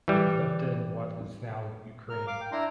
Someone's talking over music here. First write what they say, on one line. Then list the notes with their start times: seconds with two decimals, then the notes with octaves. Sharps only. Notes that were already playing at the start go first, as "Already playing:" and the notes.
It lived in what is now Ukraine.
0.08 E3 G3
2.10 A#4 F6
2.27 F5 D6
2.41 G5
2.52 D4 E4 A#5 C6